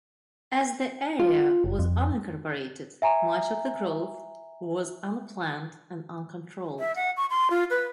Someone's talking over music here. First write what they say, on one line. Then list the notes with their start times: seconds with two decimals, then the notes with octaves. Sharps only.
As the area was unincorporated much of the growth was unplanned and uncontrolled.
1.20 F4
1.64 F#1
1.79 F2
3.02 E5 G#5 A#5
6.80 E5
6.96 F#5
7.17 C#6
7.30 C6
7.50 F4
7.70 B4